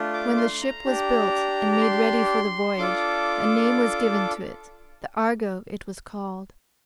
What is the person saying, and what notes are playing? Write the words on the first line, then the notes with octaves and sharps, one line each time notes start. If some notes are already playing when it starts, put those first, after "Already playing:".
When the ship was built and made ready for the voyage a name was given to it--the Argo it was called.
Already playing: A3 D4 F4
D6
C6
A#5
D4 G4
A#5
C6
D4 F4 A4 D6